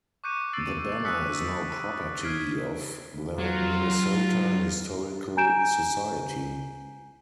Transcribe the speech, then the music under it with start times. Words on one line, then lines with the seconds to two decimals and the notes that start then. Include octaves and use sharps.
The banner is now property of the Minnesota Historical Society.
0.24 C#6 D6 F#6 G6 C#7 D#7
0.53 C#6 E6 A6 C7 D7 F#7
1.04 D#6 E6 F#6 B6 C#7
2.22 F6 G#6 B6 C7 D7
3.39 F#3 F4
5.37 G#5 A#5 G6 D7 E7